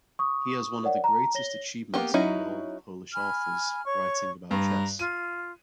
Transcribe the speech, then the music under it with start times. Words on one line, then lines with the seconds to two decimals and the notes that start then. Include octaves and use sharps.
He has one of the greatest achievements among all Polish authors writing about chess.
0.19 C#6 D#6
0.83 A#4 C#5 D5 F#5
1.04 A5 A#5
1.35 C#5 A#6 G7
1.94 A#3 B3 C#4 G4
2.14 F#3 C#4 D#4 E4
3.14 G#5 B5 F6
3.85 C#5 C#6
4.51 G2 A#5
4.99 F4 D#7